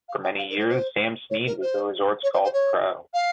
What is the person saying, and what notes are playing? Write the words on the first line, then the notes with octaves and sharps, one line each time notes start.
For many years, Sam Snead was the resort's golf pro.
F5
G5
F5
A#4
C5
C5
C#5
A#4
C5
C#5
C5
C5
C#5
F5